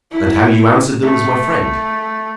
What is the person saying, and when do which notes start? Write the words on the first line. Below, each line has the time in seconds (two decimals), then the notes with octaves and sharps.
"And how you answered them as my friend."
0.11 E4
1.02 A3